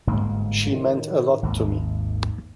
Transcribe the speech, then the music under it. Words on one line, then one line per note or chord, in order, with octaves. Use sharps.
She meant a lot to me.
G1 G#2 A#3
A2 D#3
G#1 D#2